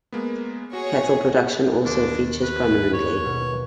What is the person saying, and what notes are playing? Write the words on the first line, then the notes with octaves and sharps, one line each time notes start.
Cattle production also features prominently.
G#3 A#3 B3
F#4 G#4 C#5
D#2 D4
B4
C#5
B2